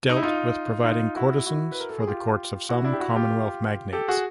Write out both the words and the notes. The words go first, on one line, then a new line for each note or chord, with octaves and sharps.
Dealt with providing courtesans for the courts of some Commonwealth magnates.
D#4
E4
D#4 F4
D#4 F4
E4 F#4
E4 F#4
B4
A#4
A4
G#4
F4 G4
E4 F#4
D4 E4
G4
E4 F#4
F4 G4
G4 A4
F#4 G#4